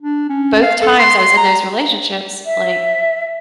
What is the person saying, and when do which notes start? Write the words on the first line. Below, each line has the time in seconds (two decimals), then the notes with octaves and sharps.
both times I was in those relationships, like,
0.02 D4
0.29 C#4
0.62 F5
0.82 A4
0.99 C6
1.19 C6
1.37 A#5
2.45 E5